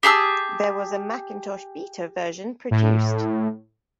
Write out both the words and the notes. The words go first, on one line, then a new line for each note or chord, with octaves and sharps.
There was a Macintosh Beta version produced.
G4 G#4 A5 E6
A2